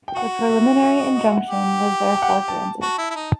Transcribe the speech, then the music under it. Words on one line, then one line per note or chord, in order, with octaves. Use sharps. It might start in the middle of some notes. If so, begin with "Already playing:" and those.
The preliminary injunction was therefore granted.
G5
F#4 F#5
E5
E5
D#5
D#5
E5
F#5
G4
G5
F#5
G5
A5
F#4 A5
E4
E4
D#4